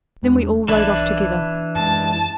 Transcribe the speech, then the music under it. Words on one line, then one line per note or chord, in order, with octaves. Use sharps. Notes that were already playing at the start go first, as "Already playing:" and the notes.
Then we all rode off together.
E2 G#3 D4
B1 E3 D4 E4
F#2 G#3 A5